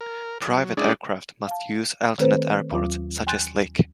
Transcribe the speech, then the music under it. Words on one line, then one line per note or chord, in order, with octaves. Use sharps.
Private aircraft must use alternate airports, such as Lic.
A#4
F#3
G#3 C#4 D4 E4 G#4 D5
F5 A5
D#3 A3 C4 A4 B4 C5
D#2 F#3 F4 D6
G5 G#5 C6 F#6 G6 A6